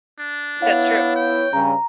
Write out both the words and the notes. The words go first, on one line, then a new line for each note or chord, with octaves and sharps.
That's true.
D4
B3 E4 C#5 F5 F#5
G5
G2 C#3 A#5